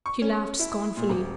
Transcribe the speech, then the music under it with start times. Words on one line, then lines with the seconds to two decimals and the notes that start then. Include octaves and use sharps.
She laughed scornfully.
0.06 C#6
0.22 C#4
0.59 E4
0.97 A#2
1.09 D#1